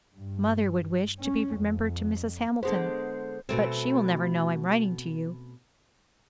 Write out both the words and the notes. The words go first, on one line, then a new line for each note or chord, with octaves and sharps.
Mother would wish to be remembered to Mrs. Hamilton, but she will never know I am writing to you.
G2
C#4
F2
D3 G#3 B3 C5
B2 A3 C4